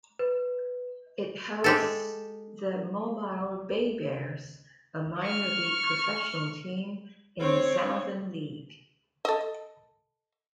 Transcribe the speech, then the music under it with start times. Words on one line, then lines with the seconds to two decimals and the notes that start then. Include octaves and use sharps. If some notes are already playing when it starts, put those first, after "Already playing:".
It hosts the Mobile BayBears, a minor-league professional team in the Southern League.
0.19 B4
1.64 G#3 G4 A4
5.23 C#6 F6
7.40 C4 C#5
9.25 A4 D#5